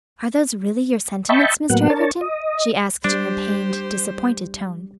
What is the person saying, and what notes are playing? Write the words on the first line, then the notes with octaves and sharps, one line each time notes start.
"Are those really your sentiments, Mr. Egerton?" she asked, in a pained, disappointed tone.
D#5 E5 G5 A5 B5 C#6
A2 F#3 A#3 B3 F#5
D4 A#4 C#5 A5
D#5
G3 D4 G4 C5